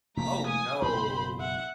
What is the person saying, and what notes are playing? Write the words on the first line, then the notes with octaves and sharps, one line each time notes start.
Oh, no.
F1 F3 A#3 A#5 B6
G#5 D#6
F#1 B1 C5 B5
E5 F#5